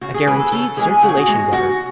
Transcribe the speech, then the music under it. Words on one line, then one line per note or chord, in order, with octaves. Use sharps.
A guaranteed circulation-getter.
C#3 F#4
G#4
E3 G#3 B3 B4
A4
C#3 A4
E3 G#3 B3 G#4
C#3 F#4
G#4
F#4
E3 G#3 B3
C#3 F#4